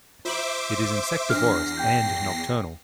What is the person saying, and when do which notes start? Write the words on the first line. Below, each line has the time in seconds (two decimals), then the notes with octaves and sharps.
It is insectivorous and nocturnal.
0.25 F4 C5 E5 D6 F#7
1.30 E2 D4 F6 A#6 C7
1.77 G5 G6